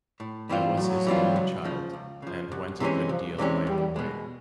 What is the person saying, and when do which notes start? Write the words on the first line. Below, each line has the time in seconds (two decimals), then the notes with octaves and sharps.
I was his only child, and went a good deal my own way.
0.20 A2
0.49 E3 G3 C4 F4
0.77 A2 F#3
1.07 E3 G3 C4 F4
1.36 C#2
1.64 C#3 F3
1.93 C#2
2.22 C#3 F3
2.52 C2
2.80 C3 E3 G#3 C#4
3.09 C2 F3
3.38 C3 E3 G3 G#3 C#4
3.67 E2 G3
3.96 B2 G#3